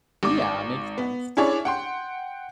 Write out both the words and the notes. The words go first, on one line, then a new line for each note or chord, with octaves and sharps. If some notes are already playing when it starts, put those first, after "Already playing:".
Yeah, makes sense.
G#1 D6
B3
C#4 D4 E4 G#4 C#5 D5
F#5 G5 C6